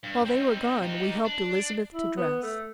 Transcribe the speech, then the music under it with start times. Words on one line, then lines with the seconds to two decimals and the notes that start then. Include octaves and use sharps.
While they were gone we helped Elizabeth to dress.
0.03 G2
0.25 C4 D#4
0.83 D#4 G4
1.25 D4
1.94 E4
2.17 B3
2.42 A3